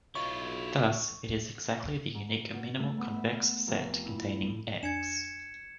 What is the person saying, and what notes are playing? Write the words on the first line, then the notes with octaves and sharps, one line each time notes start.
Thus, it is exactly the unique minimal convex set containing "X".
B1 E4 F4 C#5 D#5 C#6
G#2
B2
A3
B3
E5
F6
E7
F1
E4
A2
F2 D4 G#5 G#6 C#7 E7